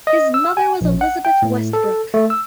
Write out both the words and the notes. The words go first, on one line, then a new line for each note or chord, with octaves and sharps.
His mother was Elizabeth Westbrook.
D#5
E6
G#5
A#1
F#5
G5
A2
A4
A3
E6